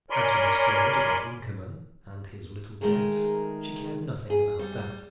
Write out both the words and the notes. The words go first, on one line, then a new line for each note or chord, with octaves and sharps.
As for his stories about Inkerman, and his little debts, she cared nothing about that.
A#4 C#5 D5 G#5 B5 C6
D#3 G#3 A3 G#4 A#4
G#4
G3